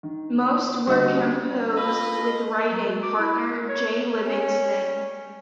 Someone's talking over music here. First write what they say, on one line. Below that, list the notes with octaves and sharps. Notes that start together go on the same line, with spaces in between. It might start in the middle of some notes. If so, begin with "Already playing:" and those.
Most were composed with writing partner Jay Livingston.
D#3
D3 G3 A#3 F#4 D#5
F4 A4 B4 D#5
F#3
F#4
D6
E4
A#4
C#5
C#4